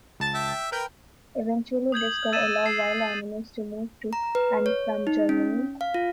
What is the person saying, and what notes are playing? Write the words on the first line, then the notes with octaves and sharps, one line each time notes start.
Eventually this could allow wild animals to move to and from Germany.
C#2 A5 A6
E5 G5
A#4 B4 G5
D#6 G6 G#6 F#7
E6 G#6 A6 D#7 E7
C7
A#5
B4
C#5
D#4
C#4
F5
F4